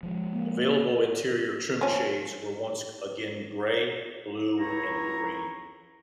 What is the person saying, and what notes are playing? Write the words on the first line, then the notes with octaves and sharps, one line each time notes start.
Available interior trim shades were once again gray, blue, and green.
F3 G#3
A#3
F3 C#4
C#2 D#4 E4 C#5 A#5